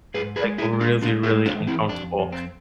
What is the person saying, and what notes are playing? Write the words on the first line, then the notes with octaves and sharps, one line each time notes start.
like, really, really uncomfortable,
G#2 G#4 B4
G#4 B4
G#3
E4 G#4
G#3
D4 F4
G#3 D4 F4
E4 G#4
G#3
D4 F4
E3
C4 E4
F2 D4
F2
C4